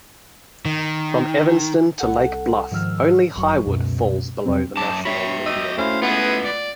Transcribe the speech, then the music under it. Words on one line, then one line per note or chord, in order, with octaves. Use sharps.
From Evanston to Lake Bluff, only Highwood falls below the national median.
D#3
C2 A4 F#5
G#2 D#3 F3 E6 F6
G1 F#2 F#3 C#6
C#2 F#2 B2
F2 C3 F#3 C4
F#2 A5 D6
F#4 C#5 E5 G5 B5
G4 D#5 E6
A3 C#4 E4 C5 F5
B3 F4 G#4 B4
D5